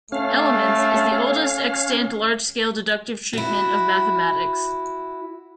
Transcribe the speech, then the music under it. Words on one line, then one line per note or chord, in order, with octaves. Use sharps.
"Elements" is the oldest extant large-scale deductive treatment of mathematics.
A3 C#4 F5
E4 F#4